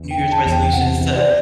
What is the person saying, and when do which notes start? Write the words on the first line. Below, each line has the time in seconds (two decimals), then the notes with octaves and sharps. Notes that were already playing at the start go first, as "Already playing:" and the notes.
New Year's resolutions to
Already playing: E2
0.11 G5
0.18 D3
0.32 A5
0.46 E2
0.52 G5
0.73 C3 F#5
1.01 E3
1.16 D5